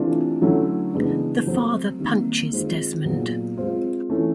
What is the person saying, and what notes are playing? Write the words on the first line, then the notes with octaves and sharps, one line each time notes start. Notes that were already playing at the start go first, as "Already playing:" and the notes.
The father punches Desmond.
Already playing: C3 E3 A3 D4 F4
D3 F#3 A3 C#4 E4
C#3 E3 G#3 B3 D4
F#3 A3 C4
C3 D#3 G3 A#3
D#3 G#3 C4 F4
A#2 F#3 B3 D#4 G#4
G#3 C4 F4
E3 A3 C#4